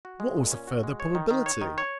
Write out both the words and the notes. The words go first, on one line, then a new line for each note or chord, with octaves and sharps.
What was the further probability?
F#4
G#3
A#2
C#4
F#4
G#3
C#5
D#3
D#3
C#5
D#3
C#5